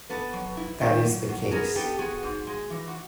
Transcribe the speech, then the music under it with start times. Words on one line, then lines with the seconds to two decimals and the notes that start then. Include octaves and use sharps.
That is the case.
0.09 B3 A4 B4
0.33 F#3
0.57 E4
0.81 D#3
1.05 F#3
1.29 F#3
1.51 B3 G#4 A#4
1.75 B3 G4 A4
1.99 B3 F#4 G#4
2.23 G#2
2.47 G#3
2.70 E3
2.88 F#4